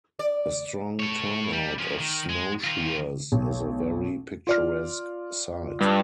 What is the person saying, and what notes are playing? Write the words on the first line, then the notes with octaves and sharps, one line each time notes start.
A strong turnout of snow-shoers is a very picturesque sight.
D5
A4 C#5
G3
F3 C#4
D#3
G#3
D#3 F4
B1
F4 D5 F6
G2